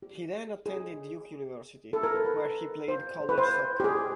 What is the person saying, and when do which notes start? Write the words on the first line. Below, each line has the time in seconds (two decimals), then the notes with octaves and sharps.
He then attended Duke University where he played college soccer.
0.02 G4
0.66 G#4
1.93 A4
2.03 A#4
2.14 B4
2.25 B4
2.88 C5
3.20 C5
3.29 B4
3.38 C5
3.80 G4
3.84 G#4